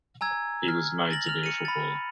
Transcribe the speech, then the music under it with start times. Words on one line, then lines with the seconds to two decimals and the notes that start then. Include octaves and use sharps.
He was made to be a footballer.
0.21 G#5 A#5 E6 G#6
0.68 F6
1.11 A6 A#6 F#7
1.24 F6 F7 F#7
1.43 C#7 D#7
1.65 B5 A6